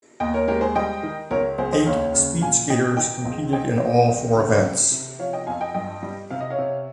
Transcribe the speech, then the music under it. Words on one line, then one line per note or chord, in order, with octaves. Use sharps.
Eight speed skaters competed in all four events.
D#2 D#5 G5
A#4 C#5
G#3 G4 A#4
G#4 C5
G3 D#5 G5
D#3
C#2 A#4 C#5
C#2 G#4 C5
C5 D#5
D#2 C#5 F5
C#3
A#2 F5 G#5
A#2 D#5 G5
D#3 D#5 G5
C#2
C4 D#5 G5
A#2
C#2
C#3
C4
C3
F3 C#5 F5
D#5 G5
F2 F5 G#5
D#5 G5
G2 D#5 G5
G3
C3 F5
D#5
C#5 F5
C3